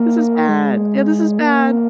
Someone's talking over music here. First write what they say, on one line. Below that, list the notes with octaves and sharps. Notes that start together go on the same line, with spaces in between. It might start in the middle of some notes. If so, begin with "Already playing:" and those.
"This is bad. Yeah, this is bad."
Already playing: A#3
G#3
A#3